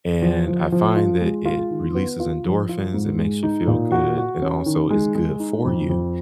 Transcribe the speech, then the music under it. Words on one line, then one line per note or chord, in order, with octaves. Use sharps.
and I find that it releases endorphins, it makes you feel good, and also is good for you
F3
F3
F3
F4
G#3
F4
D#3
B3
F4
F3
F4
G#2
G#3
D#4
A#2
F#4
F#4
C#4
D#3
G#3
G#3
D#4
F2
F2